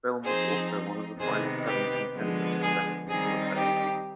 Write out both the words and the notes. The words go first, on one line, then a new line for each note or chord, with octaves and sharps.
The film was also one of the final seven contenders for Best Visual Effects.
F3 C4 D#4 G#4 C5
C3 D#3 B3 D#4 G#4 C5
G4 B4
D3 F3 G#3 B3
G#4
D#3 G3 C4 D#4 G#4
G4